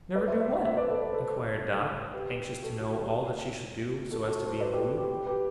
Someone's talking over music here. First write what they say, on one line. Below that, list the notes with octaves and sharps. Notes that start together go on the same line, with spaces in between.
"Never do what?" enquired Dot, anxious to know all that she should do, so as to be improved.
B4 D5
C5 E5
C5 E5
C5 E5
C5 E5
B4 D5
A4 C5
B4 D5
A4 C5
G4 B4
F#4 A4
F#4
G4
F#4 A4
F#4 A4
A4 C5
B4 D5
G4 B4
G4
G4
G4 B4